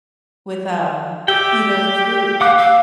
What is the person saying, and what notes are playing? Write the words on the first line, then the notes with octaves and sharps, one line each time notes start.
with, um, either fruit
G4 D5 E5 G5
F5 F#5 D6 F#6
F5 E6